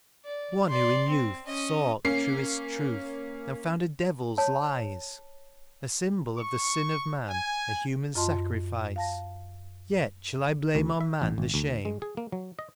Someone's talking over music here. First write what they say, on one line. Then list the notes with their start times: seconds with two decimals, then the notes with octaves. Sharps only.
One who in youth sought truest truth, and found a devil's lies; A symbol of the sin of man, a human sacrifice: Yet shall I blame on man the shame?
0.25 D5
0.69 D5 C6
1.08 C4
1.46 C#4 D#5
2.05 A#3 C#4 C7
4.38 C#5 A5
6.37 C#6
7.29 G#5
8.15 F#2 F4 D#5 A5 C6
8.96 F5 A5 A#6
10.75 D2
11.01 E5
11.22 A1
11.38 G#1
11.54 D2
11.85 G#3
12.02 G#4
12.17 A#3
12.32 F#3
12.59 D#5